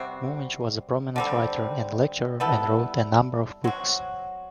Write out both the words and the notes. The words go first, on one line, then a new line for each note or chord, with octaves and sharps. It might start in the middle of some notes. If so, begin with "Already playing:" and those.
Muench was a prominent writer and lecturer and wrote a number of books.
Already playing: C3 G3 C4 F#4
D3 G3 C4
G3 B3 E4 A4
F#3 C4 F#4